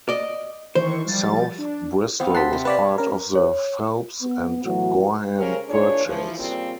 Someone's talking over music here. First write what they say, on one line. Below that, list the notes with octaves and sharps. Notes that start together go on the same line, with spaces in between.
South Bristol was part of the Phelps and Gorham Purchase.
D5 D#5
D#3 E3 C5 C#6
F3 G3 A6
D4
B3 C4 C5 F5
F#5 A5 C6 B6
C3
B4 C#5 D5 F5 A5 B5
C#4 A#4
C#5
B3
A2 E3 F#3 F#4
C#3 G#3 C#4 G4 A#4 C5
A#2 E3 D4 G#4 C#5
E3 F3
A#2 C#3 G3 A#3 C4 F4